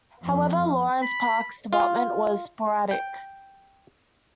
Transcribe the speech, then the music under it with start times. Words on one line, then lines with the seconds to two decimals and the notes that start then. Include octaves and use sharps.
However, Lawrence Park's development was sporadic.
0.24 F2
1.03 B5
1.73 F4
2.91 G5